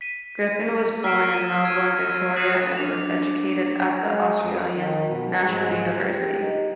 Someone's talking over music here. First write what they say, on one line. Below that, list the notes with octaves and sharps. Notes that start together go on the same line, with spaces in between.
Griffin was born in Melbourne, Victoria, and was educated at the Australian National University.
B6 D#7
E6 F6 B6 C7 D7 E7
D#7
G#6 D#7
D#6 F6 F#6 C7 D#7 E7
D4
G#3
F2
D#3
B2
G#2
G4
D#4